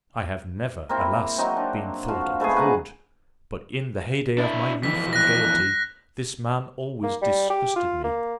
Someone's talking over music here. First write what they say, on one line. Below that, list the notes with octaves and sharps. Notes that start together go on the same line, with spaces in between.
I have never, alas! been thought a prude, but in the heyday of my youth and gaiety, this man always disgusted me.
A#3 C4 E4
F#3 C4 D#4
D4
F3 F#4 F5
G#2 A3 B3 G#4
B4 F#5 A#5
D4 E4
F2 E3 B6
F#6 A#6
A#3
G3
G4
F4
A#3